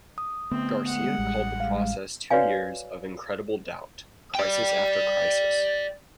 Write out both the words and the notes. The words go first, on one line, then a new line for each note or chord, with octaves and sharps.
Garcia called the process two years of incredible doubt, crisis after crisis.
D#6
D3 A3 B3 C4
G3 G#3 F#5
A1
F5
F#4 B4 C#5 D5 F5 G#5
D5 G5